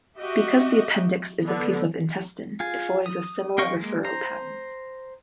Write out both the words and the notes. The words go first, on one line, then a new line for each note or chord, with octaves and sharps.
Because the appendix is a piece of intestine, it follows a similar referral pattern.
F#4 G4 D#5 E5
D3 B3
F4 G#4
D#6
C4 A#4 D#5 F5 C#6
G#3 A#3
C5 A#5